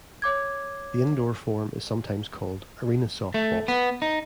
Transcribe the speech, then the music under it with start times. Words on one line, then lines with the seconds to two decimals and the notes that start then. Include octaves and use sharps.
The indoor form is sometimes called Arena Softball.
0.22 C#5 D6 G#6
3.34 A3
3.68 B3
4.02 D#4